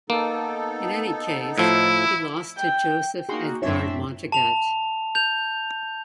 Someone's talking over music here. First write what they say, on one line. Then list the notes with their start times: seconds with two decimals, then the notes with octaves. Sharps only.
In any case, he lost to Joseph Edgard Montegut.
0.10 A#3 B3 D#4 A4
1.58 A2 F3 E4
2.57 G5
3.29 A#3 D#4 F#4 G#4 C6
3.62 F#2 A2 C4 D4 E4 C#5 E5
4.32 A5 F7
5.15 G6 F7